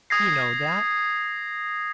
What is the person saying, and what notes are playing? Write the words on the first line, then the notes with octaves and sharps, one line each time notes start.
You know that.
D#6 G#6 A#6 C7